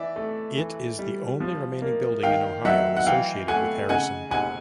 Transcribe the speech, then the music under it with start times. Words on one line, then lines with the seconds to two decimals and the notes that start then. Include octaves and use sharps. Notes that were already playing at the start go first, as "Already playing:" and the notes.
It is the only remaining building in Ohio associated with Harrison.
Already playing: E3 D5 E5
0.16 A3
0.57 E3
0.99 G3
1.40 F3
1.82 A#3
2.23 D#3 F5 G5
2.65 F#3 E5 F#5
2.97 F#5
3.06 E3 F5 G5
3.48 A3 F#5 G#5
3.89 C#3 F#5 G#5
4.31 F1 F#5 G#5